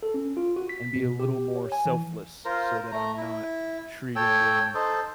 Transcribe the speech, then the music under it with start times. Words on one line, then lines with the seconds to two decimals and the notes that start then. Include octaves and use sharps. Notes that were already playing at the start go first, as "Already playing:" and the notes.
and be a little more selfless, so that I'm not treating them
0.03 A4
0.14 C#4
0.37 F4
0.56 F#4
0.69 B6
0.96 B2
1.20 G4
1.56 C#5
1.72 G#5
1.85 E3
2.45 F4 A#4 C5
2.92 A3 A#5
3.17 E4
4.16 A4 C#5 G5 E6
4.75 D#4 A4 C5